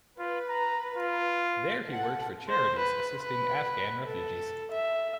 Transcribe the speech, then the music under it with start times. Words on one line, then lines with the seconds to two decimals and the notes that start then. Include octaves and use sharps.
There he worked for charities assisting Afghan refugees.
0.19 F4 B4
0.49 A#5
0.97 F4
1.89 A4 F#5
2.49 C5
2.79 B4
3.23 B4
4.06 A4
4.72 E5